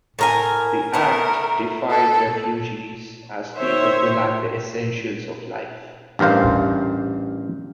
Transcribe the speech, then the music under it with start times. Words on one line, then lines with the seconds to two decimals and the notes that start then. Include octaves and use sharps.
The act defined refugees as people who lack the essentials of life.
0.19 A2 A#4 G#5
0.94 A3 B3 A#4
1.90 A4
3.58 D#3 C5 C#5 E5
6.19 A1 G2 A#4 C5 F5